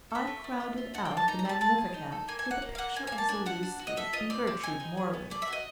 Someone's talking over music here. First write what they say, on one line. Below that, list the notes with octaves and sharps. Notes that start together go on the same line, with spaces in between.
I crowded out the Magnificat with a picture of Zaluski and Gertrude Morley.
A4 E5
A3
A3
F4
F4
D4 F#5
G5
A#3
A5
D#4 A#5
A#5
C4 A5
C4 A5
G#4
D#4
A4
A#3 G#5
G#5
A#3
F#5
A#3
F5
A#3 F#5
A#3 G#5
A#3 G#5
A5
D4 G#5
D4 F#5
D4
F#4
D#5
A4 E5
F4 D#5
C4 D5
C4
D#4 G#5
D#4
G#4
B3
A3 D5
E5
F#4 D#5